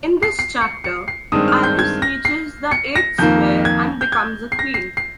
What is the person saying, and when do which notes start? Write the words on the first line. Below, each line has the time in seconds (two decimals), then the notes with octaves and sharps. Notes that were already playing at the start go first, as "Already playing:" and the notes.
In this chapter, Alice reaches the eighth square and becomes Queen.
0.23 C7
0.39 C7
0.61 C#7
0.84 C#7
1.08 C7
1.32 G2 D#3 G#3 C4 D#6
1.48 F6
1.63 G6
1.79 G#6
2.02 A#6
2.25 C7
2.71 C#7
2.96 A#6
3.18 F2 D#3 A#3 G6
3.65 G#6
4.01 G6
4.12 G#6
4.52 C7
4.59 A#6
4.74 C7
4.97 C7